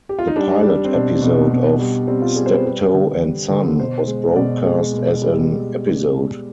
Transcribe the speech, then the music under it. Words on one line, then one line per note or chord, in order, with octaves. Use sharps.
The pilot episode of "Steptoe and Son" was broadcast as an episode.
G4
F4
D#4
G3 D4
G3
C4
B2 D4
B2
B2
G3
G3 C4
F4
G3 G#4
C5
B4
G3
D3
G3
D3
B2 C5
G#3
B2 D5
G#3
B2
G3